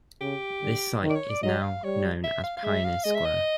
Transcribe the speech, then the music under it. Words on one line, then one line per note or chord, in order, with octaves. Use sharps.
This site is now known as Pioneer Square.
C#3 G4
D3
D#3
D5
C#5
D5
F#3 D#5
F5
G3 C#5
E5
F5
F5
G#3 E5
F5
G#3 D#5
E5
D#5